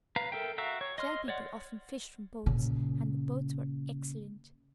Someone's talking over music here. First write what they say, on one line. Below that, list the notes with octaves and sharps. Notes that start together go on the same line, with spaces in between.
The Shell People often fished from boats, and the boats were excellent.
B4 F5 A#5
A4 A#4 E5 G5
F#4 E5 F5 A#5 E6
C#5
D#5 C6 F6
C#5 D5 F#5
A#2 C#3